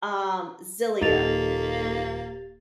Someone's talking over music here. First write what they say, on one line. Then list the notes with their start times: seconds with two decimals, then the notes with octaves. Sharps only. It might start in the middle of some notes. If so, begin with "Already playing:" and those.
um, Xillia.
1.01 D#1 A#3 D#4 G4 A4 A6 F7